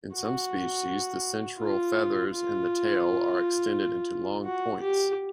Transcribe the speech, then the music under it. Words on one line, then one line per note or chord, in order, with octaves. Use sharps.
In some species, the central feathers in the tail are extended into long points.
F#4
F4
F4
F#4
G4